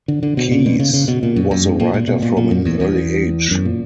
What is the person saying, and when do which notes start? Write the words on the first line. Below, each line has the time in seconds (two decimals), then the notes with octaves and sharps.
Keyes was a writer from an early age.
0.08 D3
0.23 D3
0.37 B2
0.51 A#2
0.66 B2
0.79 C#3
0.94 C#3
1.08 B2
1.23 A#2
1.36 F#2
1.51 F#2
1.65 G2
1.80 A#2
1.94 A#2
2.08 B2
2.22 A#2
2.37 A#2
2.51 F#2
2.65 E2
2.80 E2
3.51 F#2
3.65 A#2